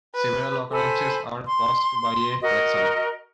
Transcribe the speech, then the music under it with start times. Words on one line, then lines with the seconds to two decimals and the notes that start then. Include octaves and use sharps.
Several occurrences are caused by a correction.
0.15 B4
0.71 A4 C5 G#5 B5
1.45 C6
2.40 F#4 A#4 D#5